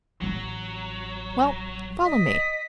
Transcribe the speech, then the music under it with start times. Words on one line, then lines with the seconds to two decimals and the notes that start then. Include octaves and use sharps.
"Well, follow me."
0.21 A1 F#3 C4
2.05 D#5 B6